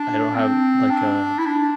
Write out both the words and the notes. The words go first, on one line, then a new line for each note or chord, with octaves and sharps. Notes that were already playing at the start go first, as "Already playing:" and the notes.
I don't have like, uh
Already playing: D4
C4
D4
E4
D4